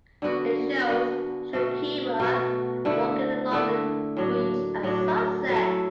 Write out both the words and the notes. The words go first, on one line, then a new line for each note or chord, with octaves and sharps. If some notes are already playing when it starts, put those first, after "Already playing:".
It shows Shakira walking along a beach at sunset.
D3 B3 F#4
D3 B3 F#4
B2 A3 F#4
B2 A3 F#4
D3 A3 E4
D3 A3 E4
A2 F#3 D4
A2 F#3 D4
F#3 A3 E4